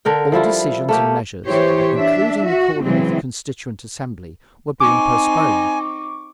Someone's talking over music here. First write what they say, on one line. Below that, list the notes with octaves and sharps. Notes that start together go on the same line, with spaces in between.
All decisions and measures, including the calling of the Constituent Assembly, were being postponed.
D3 A#4 G5
F3 G3 E4 F4
A3 A#3 G4
E3 G4 C5 C#5
D4 E5
F#4
C#3 E3 F#3 G#3 C4
C4 D#4 G#5 C#6 D6